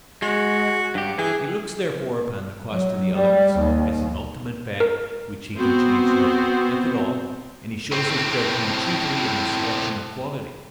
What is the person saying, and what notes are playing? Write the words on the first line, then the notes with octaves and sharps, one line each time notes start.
He looks therefore upon the cost of the elements as an ultimate fact which he can change little, if at all, and he shows his judgment chiefly in the selection of quality.
G#3 F#4
G2 G4
E3 G#4
F#3
G3
D#2
A#4
B3 C4 F#4 C5
A2 C4